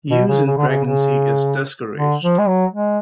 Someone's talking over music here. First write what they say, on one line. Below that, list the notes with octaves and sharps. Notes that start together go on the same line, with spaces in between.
Use in pregnancy is discouraged.
B2
C#3
C#3
D3
C#3
C#3
D3
F3
G#3
F#3
G#3